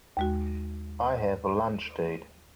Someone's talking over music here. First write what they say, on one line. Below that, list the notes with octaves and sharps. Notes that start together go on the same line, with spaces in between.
I have a lunch date.
D#2 G#3 F#4